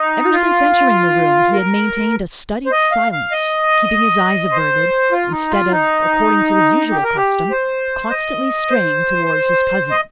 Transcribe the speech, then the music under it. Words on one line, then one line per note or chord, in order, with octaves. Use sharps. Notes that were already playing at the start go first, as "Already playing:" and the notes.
Ever since entering the room he had maintained a studied silence; keeping his eyes averted, instead of, according to his usual custom, constantly straying towards his cousin.
Already playing: D#4
F4
A#4
C5
D#5
F5
F5
D#5
C5
F4
D#4
F4
D#4
G4
A#4
G4
C5
D#5
C5
D#5